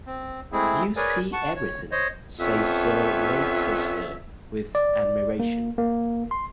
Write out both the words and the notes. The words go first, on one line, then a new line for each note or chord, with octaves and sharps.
"You see everything," says Sir Leicester with admiration.
C4
G#3 A3 C4 E4 G#4
G#4 A#4 B4 C#5 D5 G#5
F#5 A5 C#6
C#5
C5 C#5 D#5
F2 B3 C#4 E5
D5
A#3
A#3
C6